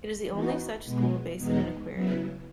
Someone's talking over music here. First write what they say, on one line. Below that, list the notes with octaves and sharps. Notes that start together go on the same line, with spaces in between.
It is the only such school based in an aquarium.
E3 B3 D#4 F#4
B2 G#3 B3
E2 B2 G#3 B3 D#4
C#3 F#3 B3 E4